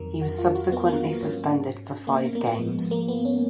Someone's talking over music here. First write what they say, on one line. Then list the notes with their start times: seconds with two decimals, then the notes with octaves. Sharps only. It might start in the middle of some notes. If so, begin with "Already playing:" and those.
He was subsequently suspended for five games.
Already playing: F2 D#3 F#3 A#4
0.21 F#4
0.38 F4
0.55 F#4
0.72 B3
0.89 A#3
1.22 G#2 F#3 C#4
2.07 A#3
2.24 B3
2.35 A#3
2.46 B3
2.58 G#2 F3 G#3
2.91 A#3
3.08 B3
3.25 C#4